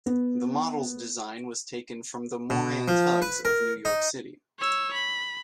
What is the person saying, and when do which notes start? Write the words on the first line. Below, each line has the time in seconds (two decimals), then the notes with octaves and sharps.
The models' design was taken from the Moran Tugs of New York City.
0.06 B3
2.50 B2
2.88 F3
3.22 B4
3.45 A#4
3.85 D#4
4.59 C#5 E6
4.94 B5